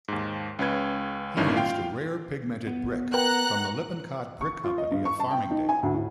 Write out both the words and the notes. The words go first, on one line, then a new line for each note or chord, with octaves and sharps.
He used a rare pigmented brick from the Lippincott Brick Company of Farmingdale.
D#2 G#2
C#2 C#4 B4 G#6
G1 C#2 G2 D#3 C#4 E4
F4 F5 G5
B3
A#4 B4 F#5 G5 A#5 F#6
C#6
F4
D#5
G2
C#6
A5
G5
D#4
G#5
D2
A2